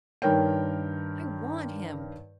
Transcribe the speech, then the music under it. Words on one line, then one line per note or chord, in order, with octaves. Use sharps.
I want him.
G2 D#3 A#4 C#5 G5